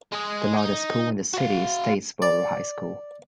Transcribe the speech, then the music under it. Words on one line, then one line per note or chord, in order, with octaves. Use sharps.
The largest school in the city is Statesboro High School.
G#3 G#4
D#4
F#4 F5
D5